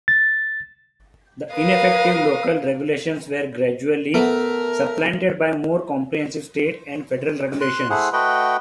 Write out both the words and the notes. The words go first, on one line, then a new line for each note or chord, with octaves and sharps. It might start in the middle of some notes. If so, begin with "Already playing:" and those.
The ineffective local regulations were gradually supplanted by more comprehensive state and federal regulations.
A6
A#4 B4 F5 D#6
A3 B3 A#4
C6 F#6
A3 E4 G#4 C5 F#5
A3 F#4 B4 D#5 F#5 G5